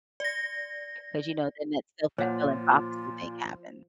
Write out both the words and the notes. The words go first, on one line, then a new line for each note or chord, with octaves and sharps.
'cause, you know, then that self-fulfilling prophecy thing happens.
D5 A#6
A#2 F3 F4 C#5 F#5